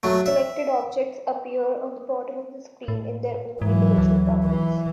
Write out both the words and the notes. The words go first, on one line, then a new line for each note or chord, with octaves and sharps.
Collected objects appear on the bottom of the screen in their own individual bubbles.
F#3 A3
E5
A2
G#2 E3 F#3
D2
E3